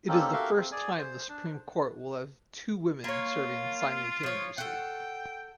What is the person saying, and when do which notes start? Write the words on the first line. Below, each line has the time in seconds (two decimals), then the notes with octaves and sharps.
It is the first time the Supreme Court will have two women serving simultaneously.
0.08 A#3 C4 C#4 D#4 G4 A4
0.32 F#4 G4 A4 A#4 E5 F5
0.56 C4
0.72 G#4 D5 G#5
0.98 C5
1.29 D4
3.04 A#3 F4 C#5
4.23 F3 F4 C#5
4.58 A4 F#5 G5